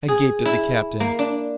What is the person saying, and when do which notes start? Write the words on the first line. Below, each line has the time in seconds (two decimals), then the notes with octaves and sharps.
I gaped at the captain.
0.08 G#4
0.45 E4
1.00 A#3
1.19 D4